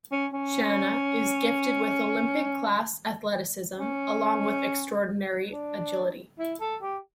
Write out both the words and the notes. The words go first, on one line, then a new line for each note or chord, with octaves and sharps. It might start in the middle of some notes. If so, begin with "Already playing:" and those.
Shanna is gifted with Olympic-class athleticism along with extraordinary agility.
C#4
C#4
C#4
D4
E4
A4
G4